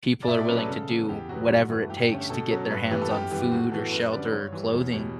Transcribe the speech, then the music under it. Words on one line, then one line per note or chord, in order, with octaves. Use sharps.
people are willing to do whatever it takes to get their hands on food or shelter or clothing.
D5
B2 E5
D5
F#3 A3 C#4 B4
A4
C#3
E3 B3
E2 G4
B2 F#3 B3 F#4
G2
E3 A3
G2 G4
D3 A3 C#4
B2 A4
F#3 C#4
G2 B4
E3 G3 B3
A4
F#2 G4
E3 G3 B3
A2 F#4
E3 B3 A4
F#2 B4
D3 G3 C#4 D5
G2 C#5
E3 G3
E2
B2 G3